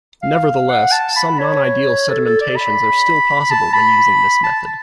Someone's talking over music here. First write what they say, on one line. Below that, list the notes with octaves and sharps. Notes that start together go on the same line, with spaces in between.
Nevertheless, some non-ideal sedimentations are still possible when using this method.
F5
F#5
A5
B5
C#5
A4
A4
D5
B5
B5
A5
B5
A5